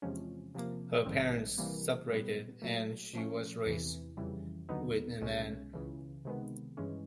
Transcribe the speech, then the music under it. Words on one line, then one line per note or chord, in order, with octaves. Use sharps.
Her parents separated and she was raised with an aunt.
E2 C3 F3 G#3 C#4
C3 F3 A#3
A#1 G#2 D#3 G3 C4
C3 E3 G3 A#3
A#2 G3 B3
A#2 F#3 A3
A#2 F3 A3 C#4
E2 C3 E3
F2 C#3 E3 G3
D#2 D3 F#3 B3 D#4
C2 B2 G#3 C#4
C#2 C#3 E3
C3 D#3 G#3 B3
G2 E3 G#3 C#4